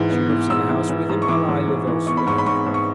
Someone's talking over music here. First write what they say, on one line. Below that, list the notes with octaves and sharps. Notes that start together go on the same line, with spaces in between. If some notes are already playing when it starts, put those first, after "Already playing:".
She lives in the house with him, while I live elsewhere.
Already playing: G#2 E3
B3
E3
G#2 E6
E3
E3
G#2
C#6
E3 D6
G#2
G#2
E3
B3 C#6
B5
G#2 C#6
B5
G#2 C#6
G#2
C#6